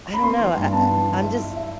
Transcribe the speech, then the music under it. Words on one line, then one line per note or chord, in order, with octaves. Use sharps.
I don't know, I I I'm just
B5
B3 C6
E3
G2
B3 A5
E3
E3
E5
E4
E5